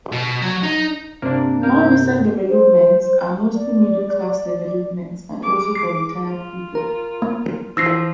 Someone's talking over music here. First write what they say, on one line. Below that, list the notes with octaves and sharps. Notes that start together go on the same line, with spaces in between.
More recent developments are mostly middle-class developments, and also for retired people.
B2
F#3 F#4
D#4
G2 C3 A#3 C4 D4 A#4
A#4 F5 G6
C5
D5
G#3 D6
C7
F4
A#4
A#3
E3 F3 E6 A#6 C7